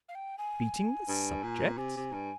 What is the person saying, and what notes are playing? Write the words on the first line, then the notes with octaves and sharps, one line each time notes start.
"Beating the subjects!"
F5
G5
G#5
G2
A#2
C3 G#5
C3
G2